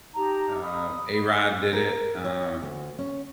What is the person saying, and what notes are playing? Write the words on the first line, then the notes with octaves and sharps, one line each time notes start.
uh, A-Rod did it, um,
D#4 G4 A5 A#5
B5 D#6
A#4
C#5
D2
C#4